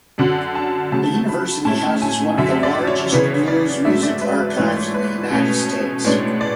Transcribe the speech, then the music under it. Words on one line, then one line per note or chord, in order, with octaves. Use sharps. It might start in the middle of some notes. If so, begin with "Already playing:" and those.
The university houses one of the largest blues music archives in the United States.
F#2 D3 F#3 F#5
A5
C#3 F#3 A3 A5
B5
A2 G#3 C#4 E4 A5
G#5
F#2 D3 F#3 E5
D5
C#5
C#3 E3 B3 C#5
D5
G#2 F#3 A3 D4 E5
D5
B4
B4
G#2 E3 A3 E4 C#5
D5
C#5
B4
B2 A3 C#4
A2 G#3 B3 D4 C#5
D5